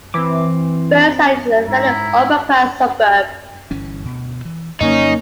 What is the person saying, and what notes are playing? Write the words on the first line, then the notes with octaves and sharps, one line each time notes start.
Burnside is a fairly upper class suburb.
E3 C4 D6
G#2 E4 A#5
G1 E3 C#4
D2 B2
E3
F2 C#3 F#3 A#3 C#4 D#4